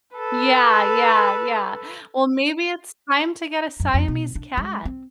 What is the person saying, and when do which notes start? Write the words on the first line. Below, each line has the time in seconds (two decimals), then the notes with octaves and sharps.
Yeah, yeah, yeah, well, maybe it's time to get a Siamese cat.
0.16 A4 B4
3.80 F#2
3.94 F2
4.08 B2
4.35 D4
4.57 G#3
4.86 C4